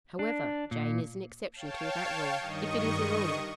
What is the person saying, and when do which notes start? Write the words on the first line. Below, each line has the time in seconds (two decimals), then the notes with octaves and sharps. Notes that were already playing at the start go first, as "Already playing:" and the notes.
However, Jane is an exception to that rule--if it is a rule.
0.19 D4
0.71 A#2
1.53 C#5 F5 G5 A5
2.39 G2 D#3 D#5 C#6 D#6